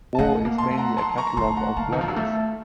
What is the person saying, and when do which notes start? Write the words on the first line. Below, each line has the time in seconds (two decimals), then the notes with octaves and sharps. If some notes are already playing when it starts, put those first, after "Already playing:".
War is mainly a catalogue of blunders.
0.15 A5
0.18 A3 D#5 F#5
0.45 A#3
0.58 A5 C6
0.71 A3
0.77 F#5 A#5
0.97 F#3 A5 C6
1.17 A#5 C#6
1.36 A3 A5 C6
1.57 F#5 A#5
1.76 A#3 F5 A5
1.85 C#3
1.92 D#3
2.01 F3
2.08 F#3
2.16 A3